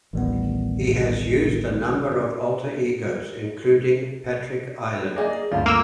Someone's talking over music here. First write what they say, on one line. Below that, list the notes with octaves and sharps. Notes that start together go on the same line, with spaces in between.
He has used a number of alter egos, including Patrick Ireland.
D1 A1 D#3 G3 B3
A#3 G#4 D5 D#5
D2 G2 F4
A#3 E6